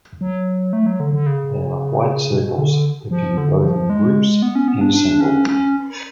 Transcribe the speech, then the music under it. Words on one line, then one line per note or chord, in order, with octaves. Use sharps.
They are white circles that can be both in groups and single.
F#3
A3
F#3
D3
D3
C#3
B2
D3
F3
D3
F3
G#3
B3
C#4
B3
D4
D4
C#4
C#4